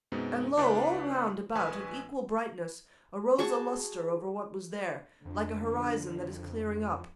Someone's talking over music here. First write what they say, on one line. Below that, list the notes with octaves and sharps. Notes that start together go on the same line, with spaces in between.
And lo! all round about of equal brightness Arose a lustre over what was there, Like an horizon that is clearing up.
F#2 B2 G#3 B3 C4 D#4
C#2 D4 E4 B4 D5
A#1 B4 G#5 C#6 D#6 E6
F#4 G#4 A5 C#6
F2 D3